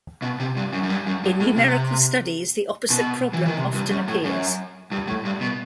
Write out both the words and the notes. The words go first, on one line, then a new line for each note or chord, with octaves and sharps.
In numerical studies the opposite problem often appears.
B2
C3
G2
F#2
F#2
G2
F#2
G2
A2
C3
B2
E3
D#3
C3
G2
F#2
A2
F#2
G2
A2
G2
B2